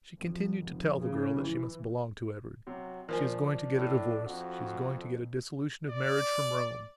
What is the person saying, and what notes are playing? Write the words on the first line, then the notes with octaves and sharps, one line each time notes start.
She continued to tell the girl that she must belong to Edward; she was going to get a divorce; she was going to get a dissolution of marriage from Rome.
F2
F1
C#3
E3
C3 F#3
F3 D4 A#4 C5 G#5
A2
F2 F#4
D5